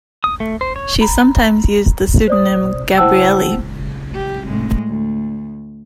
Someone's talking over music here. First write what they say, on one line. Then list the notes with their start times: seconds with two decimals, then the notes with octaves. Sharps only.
She sometimes used the pseudonym Gabrielli.
0.24 D#6
0.40 A3
0.61 C5
0.76 C#5
1.01 A#5 B5
2.27 C5 D5 D#6
2.98 E4 C5 F#5 G5 A5 E6
4.14 G4
4.47 A2 G#3
4.87 D2